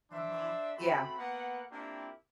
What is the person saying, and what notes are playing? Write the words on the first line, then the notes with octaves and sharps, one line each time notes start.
Mhm, yeah.
D4 C5 D5 E5
A3 C4 F#4 B5
A#3 B3 B4 F#5
A#3 C4 D4 E4 F4 G4